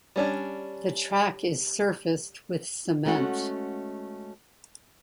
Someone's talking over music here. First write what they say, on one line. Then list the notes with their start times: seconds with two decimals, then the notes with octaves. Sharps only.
The track is surfaced with cement.
0.16 G3 C#4 D4
3.05 G#3 A3 C#4 F#4 F#5